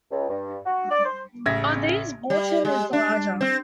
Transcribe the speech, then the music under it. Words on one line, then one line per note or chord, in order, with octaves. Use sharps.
Of these, Bourton is the larger.
C#2
G2
F#4
D5
C5
A1 C#3 E5 G#6 A#6
G3
G#3
D4
C4